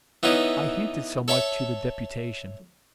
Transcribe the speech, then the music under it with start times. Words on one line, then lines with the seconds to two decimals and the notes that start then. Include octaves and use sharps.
I hinted so much to the deputation.
0.23 E3 B3 C#4 D#4 E4
1.28 A4 C#5 E5 A5